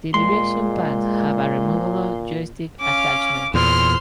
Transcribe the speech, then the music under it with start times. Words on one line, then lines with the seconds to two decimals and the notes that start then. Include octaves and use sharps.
The direction pads have a removable joystick attachment.
0.14 A#2 G#3 C6
2.80 C#4 F5 D6
3.54 E2 A#2 C5 C6 F6